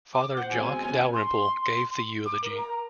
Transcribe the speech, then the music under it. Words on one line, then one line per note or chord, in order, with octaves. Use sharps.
Father Jock Dalrymple gave the eulogy.
D6
C5 F#5
B2 G#3 C4 G#5
B3 C#4 G#5
C6
D6
A#4
A#5